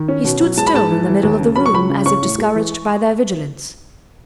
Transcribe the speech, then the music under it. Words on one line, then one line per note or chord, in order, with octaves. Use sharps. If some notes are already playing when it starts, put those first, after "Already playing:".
He stood still in the middle of the room as if discouraged by their vigilance.
Already playing: D#3
C#4
B2
F#3
G#3 A5
B5
G#2 A5
E3
E3
D#2
C#3
F#3 B5
C#6
C#2 B5
C#3
C#4 C#6
A2
G#3
E3